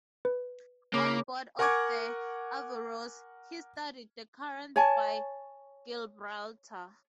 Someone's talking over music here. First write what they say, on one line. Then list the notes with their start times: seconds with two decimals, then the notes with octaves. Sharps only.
On board of the "Averroes", he studied the currents by Gibraltar.
0.25 B4
0.94 C#3 A#3 B5 D6
1.59 A#4 F#5 G#5 C#6 D6 G#6
4.76 C#5 G#5 A5